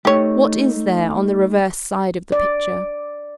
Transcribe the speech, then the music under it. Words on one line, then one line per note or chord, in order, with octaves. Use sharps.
What is there on the reverse side of the picture?
A3 D#4 G4 C#5
D5